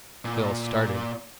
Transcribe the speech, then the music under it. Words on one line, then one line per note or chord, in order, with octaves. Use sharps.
Phil started.
A#2